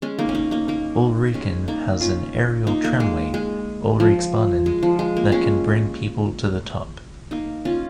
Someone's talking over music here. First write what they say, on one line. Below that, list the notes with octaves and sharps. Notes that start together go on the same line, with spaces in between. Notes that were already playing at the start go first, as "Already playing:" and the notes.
Ulriken has an aerial tramway, Ulriksbanen, that can bring people to the top.
G#3 C#4
A#3 D#4
C#4
A#3 D#4
A#3 D#4
A#3 D#4
G#3 C#4
A#3 D#4
C#4 F4
A#3 D#4
A#3
G#3
G#3
F3
G#3
F3
G#3
A#3
G#3 C#4
A#3 D#4
C#4 F4